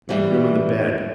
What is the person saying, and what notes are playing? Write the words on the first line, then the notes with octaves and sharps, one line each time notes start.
Make room in the bed.
E3 G3